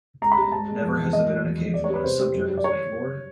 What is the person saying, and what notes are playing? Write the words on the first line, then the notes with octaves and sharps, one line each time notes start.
Never has there been an occasion when a subject was made lord.
C#2 A#5
B5
G3
A#5
G#2 A5
G#3
F2
E3
G#2 D#5
F#3
E2
F3
E2 D5
C#5
G3 B4
C3 C5
G3
F#2
G3
D5
C#5